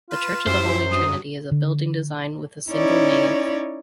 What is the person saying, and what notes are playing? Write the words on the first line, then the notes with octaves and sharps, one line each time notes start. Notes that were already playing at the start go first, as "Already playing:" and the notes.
The church of the Holy Trinity is a building design with a single nave.
F4 B4 E7
F#2 E4 G4 C5 E5
G2 F#3 D#6
D3
C#4 D#4 E4 C#5 D5